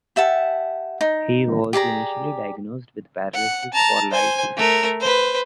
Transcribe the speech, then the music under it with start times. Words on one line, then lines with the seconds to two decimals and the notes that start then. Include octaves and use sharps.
He was initially diagnosed with paralysis for life.
0.16 G4 E5 F#5 A5
1.01 D#4
1.73 G4 G#4 D5 A#5
3.34 F#5
3.74 A5 A#5
4.11 C5 G#5
4.57 A3 A#4
5.01 B4 C5